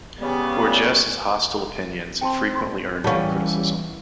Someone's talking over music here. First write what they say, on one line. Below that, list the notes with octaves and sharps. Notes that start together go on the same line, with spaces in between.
Borges' hostile opinions have frequently earned him criticism.
C#3 G3 B3
C4 G5 A5 C6
E3 G3 C#4 F5 F#5 A5